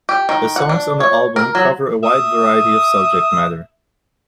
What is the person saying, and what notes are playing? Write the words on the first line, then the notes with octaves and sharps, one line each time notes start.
The songs on the album cover a wide variety of subject matter.
G4
D#3
F#5
D4
C#5
A#4
F#3
E5 D#6